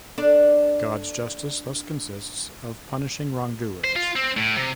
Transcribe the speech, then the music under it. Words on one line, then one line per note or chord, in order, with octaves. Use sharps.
God's justice thus consists of punishing wrongdoers.
D4 A4 D5
C5
F4
C4
A2
C3